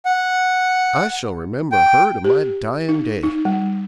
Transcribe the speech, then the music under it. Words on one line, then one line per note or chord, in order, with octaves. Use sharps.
I shall remember her to my dying day.
F#5
G5
G4
D#4
D#4
G3